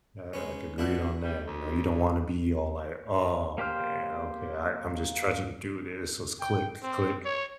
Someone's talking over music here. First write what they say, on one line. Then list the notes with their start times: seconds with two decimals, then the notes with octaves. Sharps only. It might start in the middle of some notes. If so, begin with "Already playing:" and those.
I I agreed on that, you know? You don't wanna be all like, "Oh, man, okay, I I'm just trying to do this." So it's click, click.
0.33 G#3 B3 C#4
0.78 B2 D4 E4 F#5
1.23 G3
1.46 D2
3.58 A#3 G4 C5 F6
6.41 G5
6.82 C4
7.25 C#5